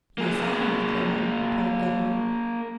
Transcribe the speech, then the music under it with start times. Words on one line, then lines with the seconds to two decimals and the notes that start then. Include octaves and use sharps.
"Yes I have, Clara," replied Edward.
0.18 A#3 G#4